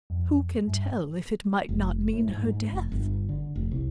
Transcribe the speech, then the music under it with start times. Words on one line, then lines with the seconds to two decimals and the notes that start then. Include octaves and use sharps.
Who can tell if it might not mean her death?
0.10 F2
0.67 G2
1.69 F1
2.13 A2
2.29 G#2
2.45 G#2
2.72 F1
2.92 G1
3.29 D3
3.56 F1
3.71 C2